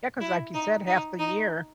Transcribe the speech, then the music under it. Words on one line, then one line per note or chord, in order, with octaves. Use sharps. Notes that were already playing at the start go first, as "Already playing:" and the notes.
Yeah, 'cause like you said, half the year,
E4
D#4
D#4
D#4